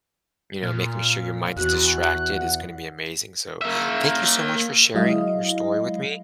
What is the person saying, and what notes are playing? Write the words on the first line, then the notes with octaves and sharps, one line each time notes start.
you know, making sure your mind is distracted is gonna be amazing. So, thank you so much for sharing your story with me.
A#2 F6
E2 F#4 F#6
F#5
A#3 E5
F#3 G#3 E4 D#5 F5